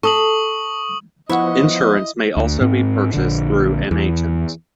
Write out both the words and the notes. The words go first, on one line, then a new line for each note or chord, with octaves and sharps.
Insurance may also be purchased through an agent.
A4 C#6 D#6 F#7
F3 B3 E4 D#5 F#5 C#6
D2
G#2 C4
A#1 D3
E2